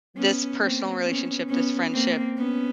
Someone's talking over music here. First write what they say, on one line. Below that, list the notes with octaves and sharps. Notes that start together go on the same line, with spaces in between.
this personal relationship, this friendship,
B3 C#4
A#3 C4
B3 C#4
B3 C#4
A#3 C4
B3 C#4